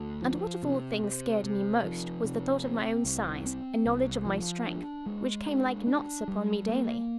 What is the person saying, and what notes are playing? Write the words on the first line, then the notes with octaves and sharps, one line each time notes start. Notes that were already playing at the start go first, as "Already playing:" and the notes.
And what of all things scared me most was the thought of my own size, and knowledge of my strength, which came like knots upon me daily.
Already playing: D2
F3
C3
C3
C3
F3
C3
C4
C2
C4
C2
F3
D4
G#3
D4
D4
G3
A#3